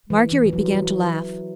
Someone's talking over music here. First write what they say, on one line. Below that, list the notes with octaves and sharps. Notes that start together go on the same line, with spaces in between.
Marguerite began to laugh.
E3
E3
E3
F#3
E3